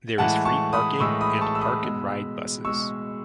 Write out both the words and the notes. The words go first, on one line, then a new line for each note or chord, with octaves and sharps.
There is free parking and park and ride buses.
A2 E3 G#3 F#5 A5
A5 C#6
B5 D#6
A2 E3 G#3 C#6 E6
B5 D#6
A5 C#6
E6
B5 D#6
B2 G#3
B2 G#3 C#6 E6